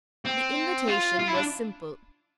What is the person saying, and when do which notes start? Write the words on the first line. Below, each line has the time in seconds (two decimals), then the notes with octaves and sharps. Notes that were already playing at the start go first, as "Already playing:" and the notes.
The invitation was simple.
0.25 C4
0.88 F4
1.20 F4
1.28 E4
1.35 D4